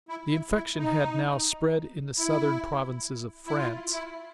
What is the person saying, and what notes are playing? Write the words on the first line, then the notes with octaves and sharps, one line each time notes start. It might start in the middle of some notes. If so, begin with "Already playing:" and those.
The infection had now spread in the southern provinces of France.
E4
E4
E4
D#4
E4
E4
F4
E4